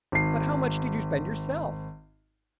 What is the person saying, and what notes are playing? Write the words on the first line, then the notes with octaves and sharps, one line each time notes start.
"But how much did you spend yourself?"
G#1 C7